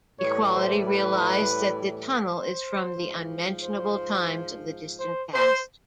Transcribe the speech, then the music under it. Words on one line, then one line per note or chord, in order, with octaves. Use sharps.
Equality realized that the tunnel is from the Unmentionable Times of the distant past.
A2 E3 G3 C#5
C5
B4
C5
G#2 F3
C5
C5
C5